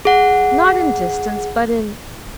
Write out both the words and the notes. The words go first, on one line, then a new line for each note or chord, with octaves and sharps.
'Not in distance, but in--.
G#4 F#5